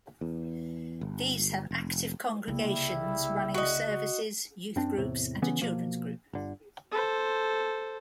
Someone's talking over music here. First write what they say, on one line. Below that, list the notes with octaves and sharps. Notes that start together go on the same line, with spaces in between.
These have active congregations: running services, youth groups and a children's group.
E2
G1
F1
C2 C#3 G3 A#3 E4
F#4 D#5
F#2 C4 D4
E2 A2 C3
C#3 E3 B3 C#4
B2 F3 A#3
G1 D3
A4 C5